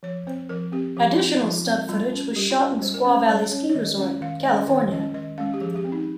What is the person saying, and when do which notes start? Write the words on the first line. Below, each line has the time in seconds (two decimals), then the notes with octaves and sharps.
Additional stunt footage was shot in Squaw Valley Ski Resort, California.
0.03 F3 C#5
0.27 C4 C5
0.49 F3 A#4
0.72 C4 G4
0.97 F3 G4
1.11 F4
1.19 C4 D#4
1.37 F4
1.42 F3
1.66 C4
1.89 G3 F4
2.12 C#4
2.36 G3 G4
2.50 F4
2.58 C#4
2.82 G3 C5
2.94 A#4
3.05 C#4 C5
3.28 G3 C#5
3.51 C#4 C#5
3.70 C#5
3.74 D#3 D#5
3.98 G#3 C#4
4.21 D#3 F5
4.45 G#3 C#4 D#5
4.68 D#3 C#5
4.92 G#3 C#4 D#5
5.14 D#3 D#5
5.38 G#3 C#4 F5
5.54 G4
5.61 F3 G#4
5.76 G4
5.85 C4
5.92 D#4